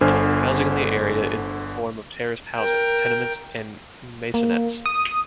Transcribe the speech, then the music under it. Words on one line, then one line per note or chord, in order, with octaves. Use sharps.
Housing in the area is in the form of terraced housing, tenements and maisonettes.
G1 D3 C5 G#5 F6
A#4 G5
A#3
D#6